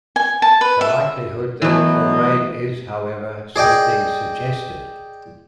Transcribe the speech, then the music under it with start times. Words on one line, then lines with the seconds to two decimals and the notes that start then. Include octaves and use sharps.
The likelihood that it will rain is, however, something "suggested".
0.16 G#5
0.42 A5
0.61 B4
0.81 E5
1.62 B2 E3 F#3 A3 D#5
3.56 G#4 D5 D#5 G5